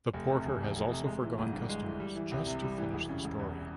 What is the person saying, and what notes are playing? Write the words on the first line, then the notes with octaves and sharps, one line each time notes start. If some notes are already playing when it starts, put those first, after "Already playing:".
The porter had also forgone customers just to finish the story.
F1
C3
F1
E2
F1
C3
G#3
E3
G1
G2
G#3
E3
G3
E3
C2
C3
G3
E3
E1
C#3
E1
E2